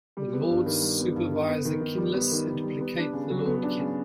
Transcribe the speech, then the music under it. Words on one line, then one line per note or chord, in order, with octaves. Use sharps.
The Lords supervise the kinless and placate the Lordkin.
G3
B3
G2
D#3
G3
B3
G2
D#3
B3
D#3
D#3
G3
B3
D#3
D#3
G3
B3
D4
C#3
F#3
B3
D4
C#3